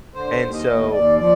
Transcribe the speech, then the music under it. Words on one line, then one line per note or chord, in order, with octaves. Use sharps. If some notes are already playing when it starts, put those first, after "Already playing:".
and so
D3 C5
D#2
D#5
D#2
D#2 D5
F3 D5